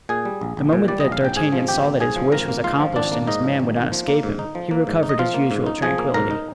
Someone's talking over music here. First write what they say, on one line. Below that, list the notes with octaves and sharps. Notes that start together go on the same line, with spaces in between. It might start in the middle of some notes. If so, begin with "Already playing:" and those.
The moment that D'Artagnan saw that his wish was accomplished and his man would not escape him, he recovered his usual tranquillity.
A#2 G#4 G#5
G3
A#1
A#1
A#2
G3 D5
A#1 D#5
F5
A#1 G5
G#2 G#4 G#5
F3
G#1 G4 G5
A#3
G#2 G#4 G#5
F3
G#1 A#4 A#5
A#3
G#2 F4 F5
F3
G#1 D4 D5
A#3
G#2 D#4 D#5
F3
G#1
A#3
F3
A#3
G#2
D#4
F3
A#3
G#2
D#4
D#5
F3 F4 F5
A#3
G#2
D#4
F3 G#4 G#5
A#3
G#2 A#4 A#5
D#4